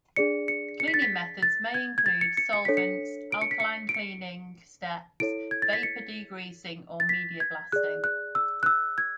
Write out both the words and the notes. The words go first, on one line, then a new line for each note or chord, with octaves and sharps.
Cleaning methods may include solvents, alkaline cleaning steps, vapor degreasing, or media blasting.
D4 G#4 D5 C#7
C#7
C#7
B6
A6
B6
A6
G#6
G#6
A6
C#7
C#7
C#7
D4 A4 C#5 B6
C#7
D7
C#7
B6
C#7
D7
C#7
E4 A4 C#5 D7
G#6
A6
B6
C#7
A6
B6
G#6
G#4 D5 F#6
F#6
E6
F#6
E6
G#6